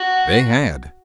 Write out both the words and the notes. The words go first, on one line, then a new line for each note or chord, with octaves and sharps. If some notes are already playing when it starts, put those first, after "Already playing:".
They had.
Already playing: F#4 F#5